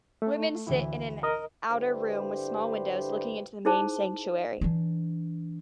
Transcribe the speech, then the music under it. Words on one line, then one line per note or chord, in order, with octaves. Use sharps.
Women sit in an outer room with small windows looking into the main sanctuary.
A3
D2 E3 E4
A#4 D#5 D#6
G2 D3 E4 G4 B4 C5
D#4 E4 G#4 C5 A5
E3 D4